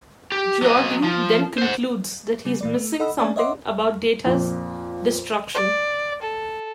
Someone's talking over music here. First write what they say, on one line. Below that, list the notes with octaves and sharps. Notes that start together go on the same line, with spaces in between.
Geordi then concludes that he's missing something about Data's destruction.
G4
F#3 D#5
F3
C5 F#5
C#3 G3
A#2 E3 D5
A3
A4 D#5 F#5 B5 E6
A#3 C#4 D4 D5 G#5 A5
C#5 D#5 E5 F#5 C6 D6
F2 A#2
D5
A4